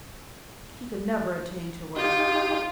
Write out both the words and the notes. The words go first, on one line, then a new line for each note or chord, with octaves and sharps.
He could never attain to it.
D#4 F4 G4